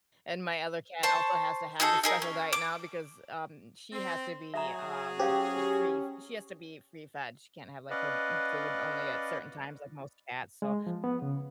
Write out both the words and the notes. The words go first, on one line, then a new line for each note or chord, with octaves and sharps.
and my other cat also has to have the special diet now, because, um, she has to be, um, free she has to be free fed. She can't have, like, her m food only at certain times like most cats, so,
C5 A5 C6 C#6
D#4 F#4 G#4 A4
D#4 G#4 A#4
C#4
D6
C4
F#3 G#4 E5 A#5
C#4 G4 C5 F5 G5
C#4 B4 D5 D#5 F5 F#5
G#3
F3
B3
C#3